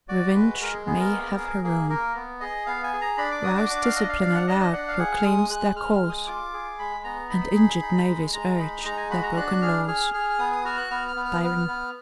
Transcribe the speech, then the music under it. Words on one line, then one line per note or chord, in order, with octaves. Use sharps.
'Revenge may have her own; Roused discipline aloud proclaims their cause, And injured navies urge their broken laws.' BYRON.
F#4 D5
G#3 B4
G#3 A#4
G#4
B3 G#4
A#4
A#3
G#4
A#3 G#4
A#3 A#4
B3
G#4 D#5
B3 F5
G#5
G#4
A#5
D4 B5
D6
F#4 D#6
D6
D4 D6
F5
D4 D#5
F5
D4 F5
F#5
D4 D#5
D#5
D4 F#5
F5
G#4 F#5
F6
G#3 D#6
G#3 F#6
G#3 F6
F6
G#3
D#6
F4 D6
G#4
G#3 B5
B3 A#5
D#4 B5
G#4
D#4
G#3
G#3 A#5
D#4 B5
G#3 A#5
G#5
F#4 B5
A#5
D4 F#6
G#4 F6
G#4 F6
G#4 F6
F6
B3 D#6
D#6
F#4 F6
F#6
B3 F6
F6
B3
F6
B3 F6
B3